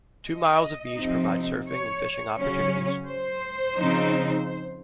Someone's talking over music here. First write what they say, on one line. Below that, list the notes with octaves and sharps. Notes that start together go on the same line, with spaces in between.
Two miles of beach provide surfing and fishing opportunities.
D#5
C3 F3 C4 D#4
C#5
C#3 F#3 C#4 C#5
C5
C#3 F3 C4 D#4